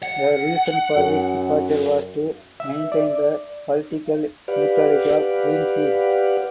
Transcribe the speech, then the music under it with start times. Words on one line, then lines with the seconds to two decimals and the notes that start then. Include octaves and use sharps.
The reason for his departure was to maintain the political neutrality of Greenpeace.
0.03 F#5
0.95 F#2
2.60 E5
2.92 D5
4.48 G4 B4 D5 F5 F#5